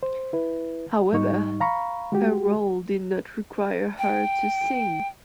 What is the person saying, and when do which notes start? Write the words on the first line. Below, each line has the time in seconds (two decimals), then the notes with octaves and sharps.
However, her role did not require her to sing.
0.03 C5
0.33 E4 B4
1.13 G#2 G3 D#4 C#6
1.60 F5 A#5 B5 C#6
2.12 G#3 F#4 G4
3.98 G5